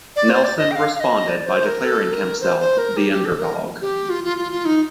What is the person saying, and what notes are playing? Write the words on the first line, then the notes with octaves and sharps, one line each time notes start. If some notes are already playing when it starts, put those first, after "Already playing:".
Nelson responded by declaring himself the underdog.
D5
C5
D5
D#5
G5
F5
F5
D#5
D5
C5
A#4
A4
A#4
C5
C5
A#4
G4
G4
A4
A#4
G4
F4
F4
F4
F4
D#4